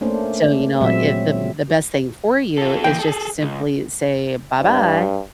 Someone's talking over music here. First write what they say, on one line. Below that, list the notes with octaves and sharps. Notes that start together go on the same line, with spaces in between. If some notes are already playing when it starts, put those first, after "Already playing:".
So, you know, if the the best thing for you is just to simply say, "Bye-bye."
A3 A#3 C#4 D4 C5
A#2 F#3 G#3 C4 E5
F4 A4
E3 A#3 G5
G#4 A4
C#2
G2